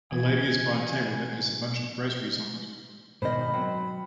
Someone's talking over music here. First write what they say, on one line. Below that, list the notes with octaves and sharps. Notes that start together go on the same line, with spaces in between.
A lady is by a table that has a bunch of groceries on it.
E3 G#5
G#2 B2 D#3 C5 D#5 B5
F#3 C4